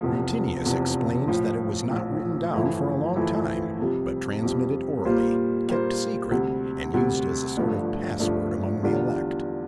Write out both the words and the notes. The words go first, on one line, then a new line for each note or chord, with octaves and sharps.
Rutinius explains that it was not written down for a long time, but transmitted orally, kept secret, and used as a sort of password among the elect.
F1 E2 C3 F3
F1 E2 C3 F3
A#1 A2 F3
A#1 A2 F3
G1 F2 E3 A3 E4
G1 F2 E3 A3 E4
F2 C3 G3
F2 C3 G3
A#2 G3 A#3 F4 C5
A#2 G3 A#3 F4 C5
D2 C3 G3
D2 C3 G3
G1 G2 F3 A3 D4
G1 G2 F3 A3 D4
E2 D3 G3 D4 F4